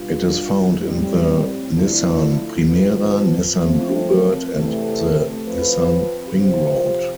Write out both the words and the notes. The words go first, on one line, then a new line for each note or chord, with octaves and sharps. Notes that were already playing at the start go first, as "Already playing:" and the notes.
It is found in the Nissan Primera, Nissan Bluebird, and the Nissan Wingroad.
Already playing: B2 G3 B3 D4 F4
A2 G3 C4
D3 F3 A3 E4
F3 C4 F4 B4
F3 A3 C4
E2 C3 E3 A3
F3 C4 F4 B4
C3 F3 C4 F4 C5